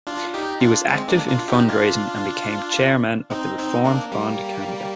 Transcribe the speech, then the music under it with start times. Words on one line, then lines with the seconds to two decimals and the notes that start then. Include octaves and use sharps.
He was active in fundraising and became chairman of the Reform Fund Canada.
0.07 D4 F4
0.34 D#4 G4
0.60 D4 F4
0.88 G#3 C4
1.08 A#3 D4
1.28 D4 F4
1.48 D#4 G4
1.69 D4 F4
3.30 C4 D#4
3.58 C4 D#4
3.84 A#3 D4
4.12 G3 A#3